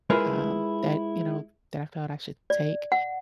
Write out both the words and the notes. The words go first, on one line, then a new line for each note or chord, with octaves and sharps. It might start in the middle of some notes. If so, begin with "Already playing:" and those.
um, that, you know, that I thought I should take,
G#3 E4 F4 G#4 A#4 B4
D5
F#5